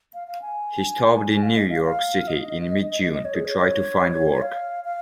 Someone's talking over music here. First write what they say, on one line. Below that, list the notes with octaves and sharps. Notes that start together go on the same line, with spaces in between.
He stopped in New York City in mid-June, to try to find work.
F5
F5
G#5
F5
D#5
F5
F5
D#5
D#5
C#5
G#4
C#5
F5
F5